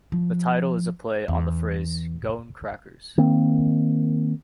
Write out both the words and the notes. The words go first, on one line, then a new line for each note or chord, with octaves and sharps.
The title is a play on the phrase "Goin' Crackers".
F3
E2
D#3 A#3 C4